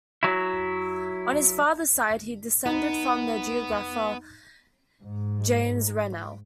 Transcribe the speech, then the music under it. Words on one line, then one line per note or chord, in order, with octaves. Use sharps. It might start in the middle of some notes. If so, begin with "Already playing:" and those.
On his father's side he descended from the geographer James Rennell.
F#3 E4
B3 D#4
G#2